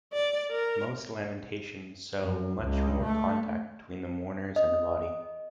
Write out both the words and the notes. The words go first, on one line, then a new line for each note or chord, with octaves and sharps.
Most "Lamentations" show much more contact between the mourners and the body.
D5
A#4
F#2
C#2
A3
D#5